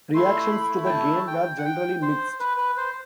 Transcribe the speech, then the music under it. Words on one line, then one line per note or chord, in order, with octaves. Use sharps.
Reactions to the game were generally mixed.
A3 E4 C6
C6
B5
G5
A5
G5
F#5
G5
C5
B4
B4
C5